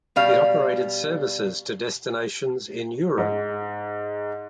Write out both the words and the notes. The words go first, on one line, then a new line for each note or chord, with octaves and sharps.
It operated services to destinations in Europe.
B2 G3 F5
G#2